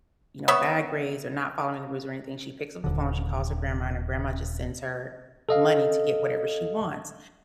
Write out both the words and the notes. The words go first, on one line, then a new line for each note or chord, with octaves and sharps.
you know, bad grades or not following the rules or anything, she picks up the phone, she calls her grandma, and her grandma just sends her money to get whatever she wants.
B3 C#5 E5
D#1 D3
A4 D#5 F5